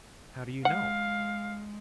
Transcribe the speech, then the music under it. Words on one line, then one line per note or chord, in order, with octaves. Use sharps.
"How do you know?"
G#3 F5 F#5